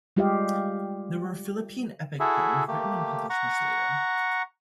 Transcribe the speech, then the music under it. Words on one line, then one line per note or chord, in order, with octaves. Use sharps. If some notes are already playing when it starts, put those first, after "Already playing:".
There were Philippine epic poems written and published much later.
G3 G#3 F4 G4 D#5 F5
E4 F#4 G#4 A4 E5
A3 A#3 G4
F#5 A#5 C#6